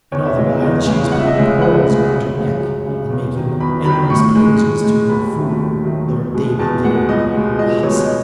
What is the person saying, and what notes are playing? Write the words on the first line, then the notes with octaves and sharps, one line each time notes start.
And all the while she was putting pearls round her neck, and making amorous poses to her fool, Lord David Dirry-Moir; the hussy!
E2 C#5
E5
C#3 E3 G#3 D#5
E2 D#5
C#3 E3 G#3
C#2 F#5
E5
D#5
C#3 G#3 E5
C#2 F#5
C#3 G#3
F#2
C#3 G#3
F#2
C#3 G#3
E2
D#3 F#3
E2 B5
D#3 F#3 B5
A2 C#6
G#3
A2
G#3
D#2 B5
D#3 F#3 A3
D#2
D#3 F#3 A3
E2
B2 G#3
E2 A5
B2 G#3 F#5
C#2 D#5
B2 G#3
C#2 D#5
B2 G#3 C#5
D#5